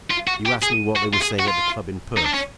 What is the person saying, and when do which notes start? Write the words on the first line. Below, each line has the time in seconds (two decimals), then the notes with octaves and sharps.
You ask me what they were saying at the club in Perth.
0.11 F4
0.27 F#4
0.46 G4
0.62 G#4
0.96 F#4
1.14 F4
1.22 G#4
1.40 F#4
1.48 F4
2.17 D#4
2.25 D4
2.34 C#4